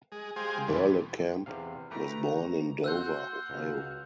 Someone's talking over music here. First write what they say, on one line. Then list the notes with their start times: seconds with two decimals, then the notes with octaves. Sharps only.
Berlekamp was born in Dover, Ohio.
0.12 G#3 G#4
0.36 G#3 G4 G#4 C5 F5 G#5
0.68 E2 B2 E3 G3 A3 C4
1.46 E2 C3 F5
1.91 A3 G4 B4 A#5
2.84 F#4 C6 E6 F#6 G6
3.50 C#2 F#4 F5